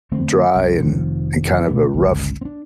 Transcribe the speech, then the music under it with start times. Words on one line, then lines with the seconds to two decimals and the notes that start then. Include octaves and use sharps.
dry and and kind of a rough
0.12 D3 A3 C4
0.55 C2
0.79 F1 C3 D#3 F3
1.68 B2 E3 A3 B3
1.93 G1 C#2
2.41 C4 D4